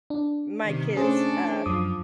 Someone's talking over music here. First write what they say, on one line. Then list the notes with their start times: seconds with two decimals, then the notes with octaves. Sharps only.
my kids, uh
0.10 D4
0.63 C3 D#3
0.96 A3 C#4 D4 G#4 A4 C5
1.66 F#2 F3 D6 D#6